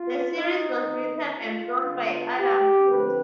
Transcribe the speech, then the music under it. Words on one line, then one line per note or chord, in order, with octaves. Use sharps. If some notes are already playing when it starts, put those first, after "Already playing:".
The series was written and drawn by Adam Hughes.
Already playing: F4
D#4
D#3 B3
F4
D3 G#3 B3
G4
D3 F3 C4 B4